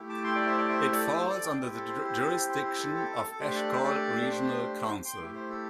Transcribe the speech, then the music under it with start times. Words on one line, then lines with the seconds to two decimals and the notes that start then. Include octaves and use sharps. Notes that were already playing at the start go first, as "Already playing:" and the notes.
It falls under the jurisdiction of Eshkol Regional Council.
Already playing: A3 E4 G4
0.09 A5 D6
0.24 G5 C6
0.35 D5 G5
0.46 C5 E5
0.58 D5 G5
0.69 C5 E5
0.92 A4 D5
1.04 A4
1.14 C5
1.29 A4 D5
1.44 D5 G5
1.60 C4 E4 G4
1.74 A4
1.89 C5
2.05 C5
2.20 A4
2.34 C5
2.49 C5
2.65 C5
2.79 A4
2.95 A4
3.31 A4
3.40 A3 D4 G4 C5
3.54 A4 D5
3.69 C5 E5
3.84 A4 D5
4.22 D5
4.30 C5
4.75 C5
5.05 G5 C6
5.20 A3 E4 G4
5.35 C5
5.50 A4